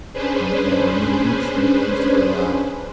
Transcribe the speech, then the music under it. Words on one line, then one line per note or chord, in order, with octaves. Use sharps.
um, yeah, or a new adventure, and so, uh,
C#4 D4 G#4 B4 C5